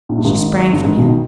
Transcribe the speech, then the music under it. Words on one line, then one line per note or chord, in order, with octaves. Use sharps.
She sprang from him.
A#1 A#2
G2
G#1 G#2
G1 G2
G#1 G#2
B1 B2
D#3